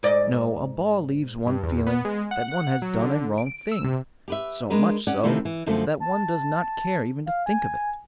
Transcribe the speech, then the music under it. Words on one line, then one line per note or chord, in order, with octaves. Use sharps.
No; a ball leaves one feeling that one has done a wrong thing--so much so that one does not care even to think of it.
G#2 D5 D#5
G2
E2
B3
G#3
F#5
F#5
F#3
D3
D7
E6
C3
G4 B4 E5
G#3 D4 A#4 B4
C#4 D5 F#5
C3 D#3 F3 A3 E4
E3
F#2 D3 F3 A3 B3
A5
F5
G#5